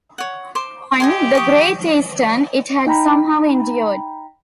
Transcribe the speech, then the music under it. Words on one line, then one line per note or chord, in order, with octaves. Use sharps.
On "The Great Eastern", it had somehow endured.
C#5 F#5
C5 C6 D6
G4 D#5 G#5 C6
C#6 D#6
D#4 G5 A#5 B5